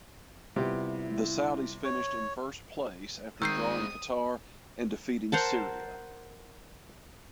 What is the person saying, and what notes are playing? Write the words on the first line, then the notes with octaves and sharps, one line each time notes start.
The Saudis finished in first place after drawing Qatar and defeating Syria.
C3 G3 B3 E4 F4 G4
C#5
D#3 G#3 C4 D#6 E6 G6 C7
A#4 C5 F#5 A5